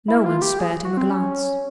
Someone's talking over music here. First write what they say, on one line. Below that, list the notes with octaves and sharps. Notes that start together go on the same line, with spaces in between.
No one spared him a glance.
E4
F4
G4
G#4
F#4
C4
C#4